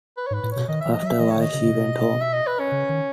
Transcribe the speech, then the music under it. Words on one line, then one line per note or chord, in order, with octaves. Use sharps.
After a while she went home.
B4
C#5
G#2 B4
A2
B2 C#5
D#3 D#5
E3 E5
D#5
F#3 E5
E3 D#5
C#5
D#3 D#5
C#3
C#3
B2
E5
D#5
B4
C#4
C#3
D#3